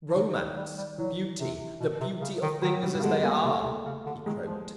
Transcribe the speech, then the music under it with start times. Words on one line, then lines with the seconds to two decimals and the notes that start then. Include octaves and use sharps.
"Romance--Beauty--the Beauty of things as they are!" he croaked.
0.10 F3
0.15 D#3 F#3
0.36 G3
0.57 G3
0.78 G3
0.98 E3 F#3
1.39 C3
1.80 B2
2.01 C3
2.21 C#3
2.42 D#3
2.62 D#3 F#3
2.83 G3
2.95 G3
2.99 C#3
3.03 D3 G#3
3.14 B3
3.24 A#3
3.44 C3 A3
3.65 C3
3.85 C#3
4.06 D3
4.26 D#3 G#3
4.47 F3